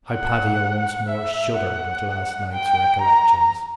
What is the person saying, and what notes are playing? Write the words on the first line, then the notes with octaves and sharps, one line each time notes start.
Hypatia once more shuddered at last night's recollections.
F#5
E5
F#5
G5
A#5